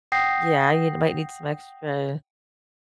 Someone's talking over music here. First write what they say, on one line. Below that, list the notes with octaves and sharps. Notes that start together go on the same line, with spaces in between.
yeah, you’d might need some extra
F#5 G5 D#6 G6 A#6 C7